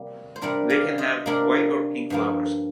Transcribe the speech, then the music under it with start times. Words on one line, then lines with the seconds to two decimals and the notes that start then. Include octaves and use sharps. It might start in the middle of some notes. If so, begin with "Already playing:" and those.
They can have white or pink flowers.
Already playing: C3 G3 A#3
0.36 C5
0.41 C3 G3 A#3 D4 A#4 D5
0.70 D5 F5
0.98 C5 D#5
1.26 C3 G3 A#3 D4 A#4 D5
2.10 G2 F3 A#3